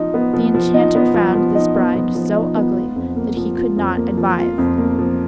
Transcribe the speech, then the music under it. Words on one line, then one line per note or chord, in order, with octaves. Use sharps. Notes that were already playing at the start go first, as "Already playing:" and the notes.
The enchanter found this bride so ugly that he could not advise.
Already playing: F3 D#4
B3
F3
F3
D#4
B3
F3
F3
D#4
B3
F3
F3
D#4
B3
F4
F2
A#3
F3
F4
F2
A#3
F3
F4
F2
A#3
F3